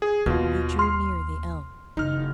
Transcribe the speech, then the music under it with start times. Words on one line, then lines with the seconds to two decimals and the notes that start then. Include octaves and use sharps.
They drew near the elm.
0.02 G#4
0.26 D#2 B2 F4
0.79 C6 F6 C7
1.97 F#1 D#4 F6